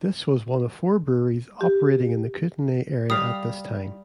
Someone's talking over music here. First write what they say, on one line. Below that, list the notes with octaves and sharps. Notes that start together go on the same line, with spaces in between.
This was one of four breweries operating in the Kootenay area at this time.
G4
G3 F5 D#6